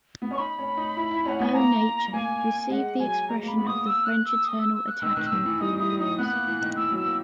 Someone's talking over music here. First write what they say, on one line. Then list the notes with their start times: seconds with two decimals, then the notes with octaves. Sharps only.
O Nature, receive the expression of the French eternal attachment for your laws.
0.22 B3
0.31 C#4 C#6
0.38 D#4 B5
0.58 C#4
0.77 D#4
0.97 E4
1.11 E4
1.25 C#4 F#5
1.40 B3 G#5
1.55 A#3 A#5
2.13 A#3 G#5
2.70 G#3 F#5
2.99 F#3 G#5
3.28 G#3 A#5
3.42 A#3
3.48 B5
3.57 B3
3.67 D#6
3.72 A#3
3.87 E6
4.06 F#6
4.25 E6
4.45 D#6
4.59 E6
4.74 E6
4.88 F#6
5.02 D#3 E6
5.15 D#3 F#6
5.27 E6
5.32 D#3
5.45 E3
5.60 D#4 D#6
5.79 E4 D#6
6.00 D#4 D#6
6.18 B3 F#6
6.32 A#3
6.47 E3
6.61 D#3
6.76 E3 E6
6.91 F#3
6.96 E6
7.06 A#3